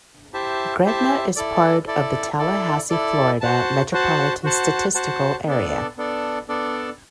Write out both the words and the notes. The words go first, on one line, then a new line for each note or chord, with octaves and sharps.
Gretna is part of the Tallahassee, Florida Metropolitan Statistical Area.
E4 G4 C5 E5 A5
E4 G4 C5 E5 A5
E4 A4 D5
E4 A4 D5
E4 A4 D5
E4 A4 D5
F#4 C5 F#5 A5
F#4 C5 F#5 A5
F#4 C5 F#5 A5
F#4 C5 F#5 A5
B3 D4 A4 D5
B3 D4 A4 D5
B3 D4 A4 D5